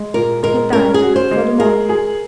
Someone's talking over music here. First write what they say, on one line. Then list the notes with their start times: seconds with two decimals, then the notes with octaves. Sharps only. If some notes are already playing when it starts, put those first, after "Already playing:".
He died before the morning.
Already playing: G#3
0.14 A#2 A#4
0.43 G#3 A#4
0.73 C#4 A#4
0.94 G#4
1.02 F#4
1.16 C5
1.31 G#3
1.60 G#4 A#4
1.89 G#4